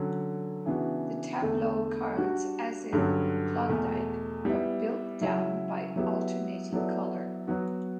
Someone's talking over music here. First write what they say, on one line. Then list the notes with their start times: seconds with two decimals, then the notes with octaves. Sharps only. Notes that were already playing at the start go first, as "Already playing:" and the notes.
The tableau cards, as in Klondike, are built down by alternating color.
Already playing: D3 F#3 C#4
0.65 C#3 E3 B3 D4 F#4
1.41 E2 D3 A3
2.17 G3 D4 F#4
2.93 G2 D3 F#3 C#4
3.69 E2 B2 A3
4.45 G3 B3 E4
5.21 C#3 F#3 C#4 E4
5.96 F#3 B3 E4 G4
6.72 F#3 B3 E4 A4 D5
7.48 F#3 B3 F#4